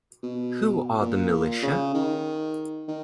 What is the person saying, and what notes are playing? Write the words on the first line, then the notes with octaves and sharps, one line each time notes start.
Who are the militia?
B2
A#2
C#3
D#3
D#3